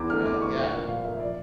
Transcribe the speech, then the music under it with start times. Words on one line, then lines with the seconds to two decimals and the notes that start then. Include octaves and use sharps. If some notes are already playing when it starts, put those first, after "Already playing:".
Right, yeah.
Already playing: E2 D6
0.10 D3 A3 F6
0.26 E2 D6
0.37 D6
0.42 D3 A3 C#6
0.57 A#2
0.73 F3 A#3
0.88 A#2 F5
1.05 F3 A#3 E5
1.20 D5